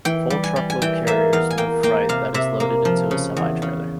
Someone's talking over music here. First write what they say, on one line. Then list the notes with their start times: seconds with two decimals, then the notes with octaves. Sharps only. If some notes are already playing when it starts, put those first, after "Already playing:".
Full truckload carriers move freight that is loaded into a semi-trailer.
0.05 E3 G5
0.30 G3
0.44 G#5
0.56 G3
0.70 G#5
0.82 E3 G5
1.07 A#3 E5
1.33 E2 F5
1.50 G#5
1.58 A#3 G5
1.83 A#3 G5
2.09 C3 F5
2.34 C3 E5
2.60 A#3
2.85 F3
3.11 C#3
3.37 E2
3.62 C#3